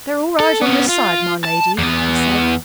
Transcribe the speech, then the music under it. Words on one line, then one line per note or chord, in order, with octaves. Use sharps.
"They're all right on this side, my lady," he said.
A4
B3 C#4
F4
A5
E2 B3